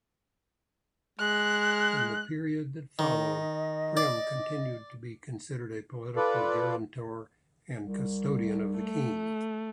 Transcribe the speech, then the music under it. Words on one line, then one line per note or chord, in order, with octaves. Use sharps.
In the period that followed, Prem continued to be considered a political guarantor and custodian of the king.
G#3 F#6
D#3 D#5
D5
F4 A4 B4 D5
C2
A3